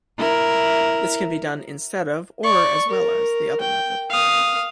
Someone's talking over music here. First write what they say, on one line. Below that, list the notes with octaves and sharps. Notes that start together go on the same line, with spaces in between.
This can be done instead of, or as well as, the other method.
E4 A#4
D5 C#6
A#4
G5
F5 D#6